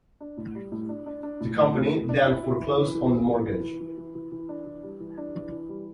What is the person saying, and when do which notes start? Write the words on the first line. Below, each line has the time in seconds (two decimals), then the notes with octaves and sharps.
The company then foreclosed on the mortgage.
0.20 D4
0.37 A2
0.55 G3
0.72 A2
0.89 D4
1.06 D4
1.23 D4
1.40 A2
1.58 A2
1.74 A2
1.92 A2
2.09 D4
2.26 E4
2.43 E4
2.60 E3
2.77 E3
2.95 E3
3.12 E3
3.29 E3
3.46 E3
3.63 E3
3.81 E3
3.98 E3
4.15 E3
4.32 E3
4.49 D4
4.66 E3
4.83 G3
5.00 E3
5.17 D4
5.35 E3
5.52 E3
5.69 G3